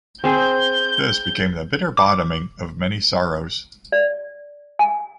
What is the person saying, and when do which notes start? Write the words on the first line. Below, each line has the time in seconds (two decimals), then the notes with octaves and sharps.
This became the bitter bottoming of many sorrows.
0.24 C4 G#4 G6
1.97 D6
3.92 D5
4.79 G#5